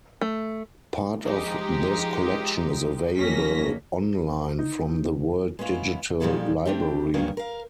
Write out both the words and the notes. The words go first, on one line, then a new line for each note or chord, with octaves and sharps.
Part of this collection is available on-line from the World Digital Library.
A3
F3 G#3 D#4 G4
F2 F#3 A#3 C#4 A#6 B6
D#4
G#3 B3 C#4 E4 F4
A#2 F3 G3 G#3 E4 A4
A3 A#3 C4 D4 E4 G4
G2 D#3 F#3 G#3 A#3 C#4
A#4 F5